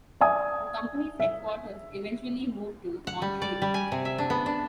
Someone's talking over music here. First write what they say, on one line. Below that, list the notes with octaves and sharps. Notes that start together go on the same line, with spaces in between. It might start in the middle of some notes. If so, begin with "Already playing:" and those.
The company's headquarters eventually moved to Montreal.
D5 E5 G#5 D#6
E5
F#5
G3
D5
G3
G#5
C3
E5
D4
B3
D4